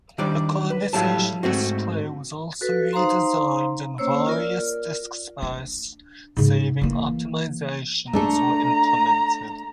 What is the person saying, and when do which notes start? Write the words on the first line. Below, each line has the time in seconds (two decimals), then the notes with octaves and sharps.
The conversation display was also redesigned and various disk space saving optimizations were implemented.
0.18 D#3 G3 D4 C5 D5
0.70 B4
0.93 A2 F#3 G3 A3 F5 A5
1.43 G#2 A3 C4 F#4
2.61 F#4 A4 B4
2.93 D#4 C5 F5 A#5 C6
3.98 A#3 C#4 C5 C#5 E6
4.27 F4 A#4 D5
5.43 D4
6.37 G#2 C#3
6.81 E3 A#3
8.13 A3 D4 A4 A#5